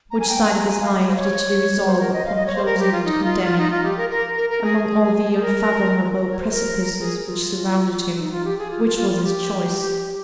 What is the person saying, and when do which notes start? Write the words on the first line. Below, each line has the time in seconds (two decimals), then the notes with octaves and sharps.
Which side of his life did he resolve upon closing and condemning? Among all the unfathomable precipices which surrounded him, which was his choice?
0.11 A#5
0.20 G#5
0.29 G5
0.42 G#5
0.55 A#5
0.68 G#5
0.81 F5
0.95 D#5
1.01 C#5
1.08 C5
1.16 C#5
1.86 C5
2.00 A#4
2.13 D#5
2.26 F5
2.36 D#5
2.46 C#5
2.56 C5
2.65 A#4
2.79 G4
2.92 F4
3.05 D#4
3.25 F4
3.44 F4
3.58 D#4
3.71 F4
3.83 G4
3.97 A#4
4.10 A#4
4.37 A#4
4.50 A#4
4.62 G#4
5.42 A#4
6.30 C#5
6.40 C5
6.50 A#4
6.93 A#4
7.00 G#4
7.26 F4
8.18 D#4
8.31 F4
8.44 G4
8.58 G#4
8.71 F4
8.84 F4
8.97 F4
9.10 F4
9.23 G4